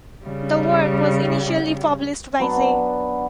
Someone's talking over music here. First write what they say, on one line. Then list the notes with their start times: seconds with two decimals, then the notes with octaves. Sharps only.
The work was initially published by J.
0.24 C#3 G3
2.39 F#3 B3 D4